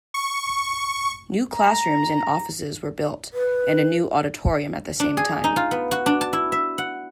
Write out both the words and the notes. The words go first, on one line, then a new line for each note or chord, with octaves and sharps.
New classrooms and offices were built, and a new auditorium at the same time.
C#6
A#5
B4
D4
G#4
D#4
F4
B3
F#4
D4
A5
E4
E5
F#5